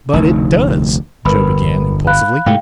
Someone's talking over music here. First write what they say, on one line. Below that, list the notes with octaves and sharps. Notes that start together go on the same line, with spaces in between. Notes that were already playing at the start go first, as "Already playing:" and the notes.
"But it does"--Joe began, impulsively.
F1 D2 D#4
G1 A#4 B4 B5
F5 B5 F#6
G#2 C3 A3 F5 G5